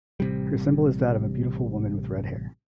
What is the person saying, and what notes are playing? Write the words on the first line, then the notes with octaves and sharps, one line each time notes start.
Her symbol is that of a beautiful woman with red hair.
A1 C3 G3